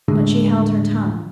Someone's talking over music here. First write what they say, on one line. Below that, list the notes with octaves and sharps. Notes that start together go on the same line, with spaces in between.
But she held her tongue.
D#1 A2 D3 G#3